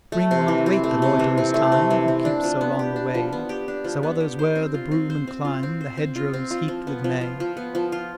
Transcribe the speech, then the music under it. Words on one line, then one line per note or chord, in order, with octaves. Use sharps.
Spring will not wait the loiterer's time Who keeps so long away; So others wear the broom and climb The hedgerows heaped with may.
A3
C3
E3
C4
A3
C3
E3
C4
A3
C3
E3
C4
D4
F3
B3
G4
D4
F3
B3
G4
D4
F3
B3
G4
C5
C4
F4
C4
C5
C4
F4
C4
C5
C4
F4
C4
F4
F3
B3
F3
F4
F3
B3
F3
F4